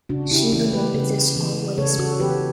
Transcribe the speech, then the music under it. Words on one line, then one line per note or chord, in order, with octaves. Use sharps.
She remembered this always.
C#3 D4 F#4
E4 G4
E3 B3 C#4 E4
G4 B4
C#3
E3 B3
C#3 A4 C#5
F#4 A4
E3 B3 G4 B4